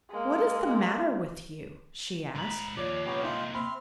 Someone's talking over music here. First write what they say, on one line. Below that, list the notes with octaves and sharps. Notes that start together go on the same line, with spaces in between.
"What is the matter with you?" she asked.
G#3 A#3
G#2 A#5 B5
D#2 F3 C#5 D5
C3 A#3 B3 C#4 G4
D#4 F4 E5 G5
C4 B5 C6 F6